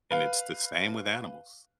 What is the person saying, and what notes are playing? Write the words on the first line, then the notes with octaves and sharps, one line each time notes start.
and it's the same with animals,
B4 F5